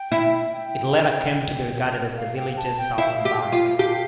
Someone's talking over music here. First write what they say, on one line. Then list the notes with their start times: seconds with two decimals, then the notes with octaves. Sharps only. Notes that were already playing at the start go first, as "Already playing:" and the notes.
It later came to be regarded as the Village's southern boundary.
Already playing: G5
0.12 E4
0.52 G5
2.17 F5
2.36 G5
2.57 A5
2.78 G5
2.97 E4 F5
3.25 G4
3.38 F5
3.52 F4
3.79 G4